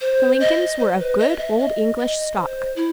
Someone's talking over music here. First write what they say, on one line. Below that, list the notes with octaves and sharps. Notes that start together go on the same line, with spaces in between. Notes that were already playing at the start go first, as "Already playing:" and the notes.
The Lincolns were of good old English stock.
C5
D#5
C5
B4
D#5
E5
D#5
D#5
C5
E4